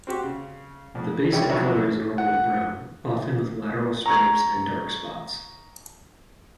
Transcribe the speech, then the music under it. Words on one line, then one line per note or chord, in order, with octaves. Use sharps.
The basic colour is normally brown, often with lateral stripes and dark spots.
C4 F#4 G4
C#3
F2
C#2 E4 G4 C#5 G5 B5
B1 F2 G#2 F#3 E4 F#4
F#5
A#5 C#6 G#6